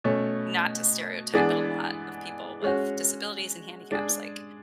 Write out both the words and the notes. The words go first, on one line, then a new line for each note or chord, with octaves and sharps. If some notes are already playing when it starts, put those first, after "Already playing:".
not to stereotype, but a lot of people with disabilities and handicaps, like,
B2 A3 C#4
E3 G#3 B3 D4 G#4
G#3 C#4 F#4
G#3 D4 G#4